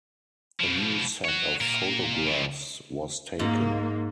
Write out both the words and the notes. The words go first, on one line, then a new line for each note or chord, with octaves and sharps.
A new set of photographs was taken.
B2 F3
C#5 F#5
A#2 A#4
A2 F3
G#2 A#3